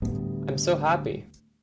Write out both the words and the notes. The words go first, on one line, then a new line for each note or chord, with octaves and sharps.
I’m so happy.
D2 A2 G3 B3